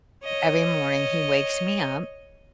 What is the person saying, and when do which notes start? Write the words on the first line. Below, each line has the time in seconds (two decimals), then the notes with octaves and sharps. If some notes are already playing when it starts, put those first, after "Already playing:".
every morning he wakes me up.
0.24 C#5 D#5